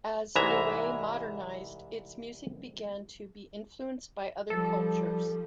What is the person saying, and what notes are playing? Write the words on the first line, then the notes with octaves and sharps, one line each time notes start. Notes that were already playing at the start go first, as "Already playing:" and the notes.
As Niue modernized, its music began to be influenced by other cultures.
C2 G#2 E3 G#3 E5 A#5
F3 G3 A4